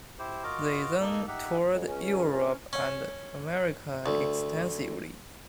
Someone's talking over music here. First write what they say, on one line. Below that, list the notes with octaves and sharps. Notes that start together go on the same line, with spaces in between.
They then toured Europe and America extensively.
E4 G4 C5
F4 F#4 A#4 D#5 A#5 D6
A#3 D#4 A4
D#4 G4 E5 F#5
F2
C#2 C#4
C#4
D2